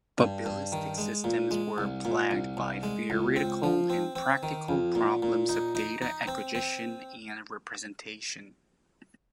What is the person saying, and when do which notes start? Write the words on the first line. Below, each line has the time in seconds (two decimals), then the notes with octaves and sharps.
Probabilistic systems were plagued by theoretical and practical problems of data acquisition and representation.
0.19 G2
0.46 G2
0.72 D#3
0.98 G#3
1.24 A#2
1.51 G#3
1.78 C2
2.05 A#2
2.31 C2
2.57 C2
2.83 G#3
3.10 C#2
3.36 C4
3.63 F3
3.90 C4
4.16 C4
4.43 D#3
4.69 F2
4.95 A#2
5.22 A#2
5.49 D#4
5.75 D#4
6.02 D#4
6.27 C4
6.55 C4